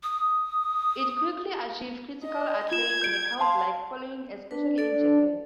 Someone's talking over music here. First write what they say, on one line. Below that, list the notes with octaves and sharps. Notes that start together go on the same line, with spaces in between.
It quickly achieved critical acclaim and a cult-like following, especially in Japan.
D#6
D#5
F4 G#6 E7
G6 D7
F5 A5 C6
D4 B4
A4 D5